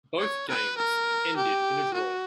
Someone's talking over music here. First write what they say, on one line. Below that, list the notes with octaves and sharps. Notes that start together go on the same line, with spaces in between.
Both games ended in a draw.
C#5
B4
A#4
G4
F#4